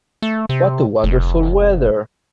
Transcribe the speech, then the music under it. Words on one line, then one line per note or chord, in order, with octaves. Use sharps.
What a wonderful weather!
A3
C3
F1